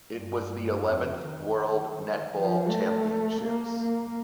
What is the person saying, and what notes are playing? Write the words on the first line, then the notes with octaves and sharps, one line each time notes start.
It was the eleventh World Netball Championships.
G2
G2
F2
D#3
F3
A3
A#3
A#3